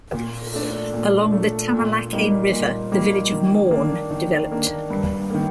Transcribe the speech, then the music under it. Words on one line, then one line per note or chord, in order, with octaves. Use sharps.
Along the Thamalakane River the village of Maun developed.
A#2
A3 D4
A#2
A3 D4
A#2
G3 A#3 D#4
A#2
G3 A#3 D#4
D#3
A#3 D4
D#3
A#3 D4
G2
D#3 A#3